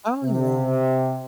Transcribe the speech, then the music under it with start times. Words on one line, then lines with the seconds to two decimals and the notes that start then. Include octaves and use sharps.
Oh, yeah.
0.24 C3